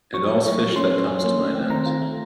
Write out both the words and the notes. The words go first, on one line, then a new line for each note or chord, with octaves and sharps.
And all's fish that comes to my net.
F#3 C#6
A3
A3
F#3
C#4 C6
C#4
C#4
A#3
A3
C4
D#3 A#5
F4
A3